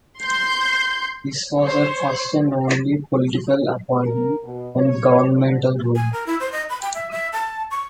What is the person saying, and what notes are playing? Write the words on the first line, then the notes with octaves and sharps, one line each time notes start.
This was her first and only political appointment and governmental role.
C6 G6
C5 C#5
A#4
B2
C#5
D3
G#5
A#4
E4
C5
D#5
B5
G5
E5
E5
A5
C#6